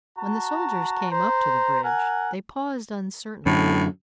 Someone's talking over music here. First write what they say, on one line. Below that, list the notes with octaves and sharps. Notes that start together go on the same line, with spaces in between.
When the soldiers came up to the bridge, they paused uncertainly.
F#4 A5 A#5
C5 A#5
A#4 F#5 G#5
F#2 A2 D3